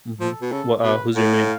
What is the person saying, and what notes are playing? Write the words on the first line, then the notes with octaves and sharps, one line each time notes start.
Mhm. Wha uh, who's your main?
F3 A4
B2
C#3 A4
B2 B4
A2 F5